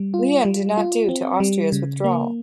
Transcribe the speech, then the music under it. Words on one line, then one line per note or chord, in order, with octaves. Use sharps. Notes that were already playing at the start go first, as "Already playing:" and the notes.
Lyon did not due to Austria's withdrawal.
Already playing: G3
F4
G3
F4
C4
G3
C#3
A#3